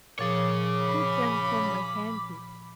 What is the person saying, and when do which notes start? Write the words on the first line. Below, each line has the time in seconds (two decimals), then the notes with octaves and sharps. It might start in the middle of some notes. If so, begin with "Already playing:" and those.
Who can comprehend it?
0.19 A#2 F3 G#4 C#5 D6
0.82 B5